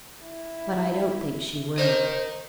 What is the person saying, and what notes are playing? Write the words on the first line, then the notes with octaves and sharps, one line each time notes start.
"But I don't think she will."
E4
A#4 C5 D#5